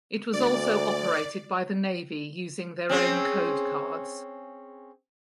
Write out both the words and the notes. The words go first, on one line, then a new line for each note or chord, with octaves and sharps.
It was also operated by the Navy using their own code cards.
D2 D5
C4 C#4 G#4